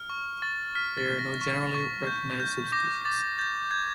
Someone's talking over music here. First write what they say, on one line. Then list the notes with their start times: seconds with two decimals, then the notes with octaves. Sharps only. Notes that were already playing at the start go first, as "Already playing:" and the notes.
There are no generally recognised subspecies.
Already playing: F6
0.10 C#6
0.42 C#6 A6
0.75 F6 B6
0.97 A6
1.08 F6
1.19 A#6
1.41 C#6
1.74 C#6
2.07 G6
2.40 G6
2.72 D6 A#6
3.05 D6 A6
3.38 G6 A6
3.71 G6 G#6